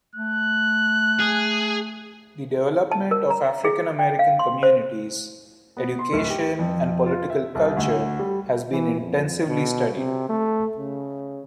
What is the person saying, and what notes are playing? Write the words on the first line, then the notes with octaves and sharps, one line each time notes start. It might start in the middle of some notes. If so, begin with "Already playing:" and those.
The development of African-American communities, education and political culture has been intensively studied.
A3 F#6
G#4
A5
A#4
A#5
G#4
G5
F5
C6
C5
B3
C6
D1
G4
F2
F4
E5
C2
D2
G3
E3
F2
B2
C3
A3
C#3